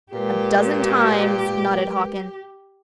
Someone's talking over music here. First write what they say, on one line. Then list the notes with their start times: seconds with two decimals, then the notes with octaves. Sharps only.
"A dozen times," nodded Hawkins.
0.13 A#2 G#3 G4 A#4 B4